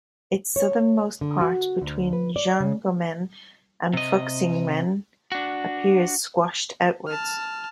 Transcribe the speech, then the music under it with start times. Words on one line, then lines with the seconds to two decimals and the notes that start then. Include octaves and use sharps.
Its southernmost part between Jianguomen and Fuxingmen appears "squashed" outwards.
0.56 C#5
1.21 D3
1.41 F#4
1.81 D2
2.13 B4
2.36 D5
2.60 C#3
3.93 C3 D#5
5.32 D4 F#4
7.07 A5 F6